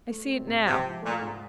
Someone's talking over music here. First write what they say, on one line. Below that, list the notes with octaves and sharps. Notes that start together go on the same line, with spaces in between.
I see it now.
A3
C4
G#2
G#2 C3
F3
A#2 A3
G#2